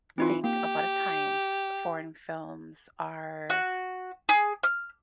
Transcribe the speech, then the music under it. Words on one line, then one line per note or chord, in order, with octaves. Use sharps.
think a lot of times foreign films are,
E3 C4 D#4 F4
A#3 G4
F#4
G#4
F6